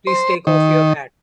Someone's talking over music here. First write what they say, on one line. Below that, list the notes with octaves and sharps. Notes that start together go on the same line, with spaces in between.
Please take off your hat?
C5
D#3